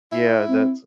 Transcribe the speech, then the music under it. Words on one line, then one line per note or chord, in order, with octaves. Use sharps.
Yeah, that's
E4
C4